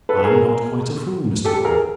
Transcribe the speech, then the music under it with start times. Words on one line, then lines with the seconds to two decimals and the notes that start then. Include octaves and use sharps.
I'm not quite a fool, Mr. Caudle.
0.09 A4 B4
0.23 G#4 A#4
1.45 G4 A4
1.65 G#4 A#4